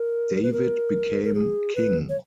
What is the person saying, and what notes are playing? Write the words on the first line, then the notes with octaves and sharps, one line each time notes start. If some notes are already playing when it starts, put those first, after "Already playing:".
David became king.
Already playing: A#4
B4
A#4
A#4
G#4
B4
C#5